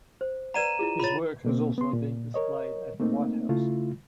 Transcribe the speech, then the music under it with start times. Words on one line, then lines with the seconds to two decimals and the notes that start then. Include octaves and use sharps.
His work has also been displayed at the White House.
0.21 C5
0.54 B4 D5 F#5 A#5 D#7 E7
0.79 E4 F4 G#4
1.00 F4 C#5 B5 A6
1.45 B2 A#3 C4
1.78 B3 C6
1.93 A#2
2.34 A#4 C#5 D#5
3.00 A3 A#3 C4 D#4
3.49 C#3 A3 E4 F4